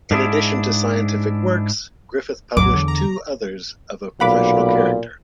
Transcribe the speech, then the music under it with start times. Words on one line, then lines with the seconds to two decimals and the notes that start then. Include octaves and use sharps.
In addition to scientific works, Griffith published two others of a professional character.
0.11 G#2 D4 E4 G#4
2.57 A#1 E2 A2 F#3 D6
2.72 E2 D3
2.88 A#5
4.20 B1 A#2 F5 F#5 B5 D6